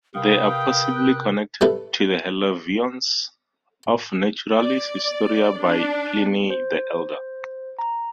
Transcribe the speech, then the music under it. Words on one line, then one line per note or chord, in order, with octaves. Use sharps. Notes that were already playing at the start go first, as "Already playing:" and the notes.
They are possibly connected to the Hilleviones of Naturalis Historia by Pliny the Elder.
C3 A#4 B4 F5 G5 D#6
F#6
G3 E4 A4 B4
D5
D4
C5
A#5